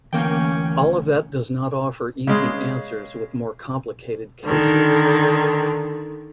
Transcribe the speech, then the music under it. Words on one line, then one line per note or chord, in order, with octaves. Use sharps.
Olivet does not offer easy answers with more complicated cases.
D2 E3 A#3 C#4 G5
C#3 G#3
D3 D#3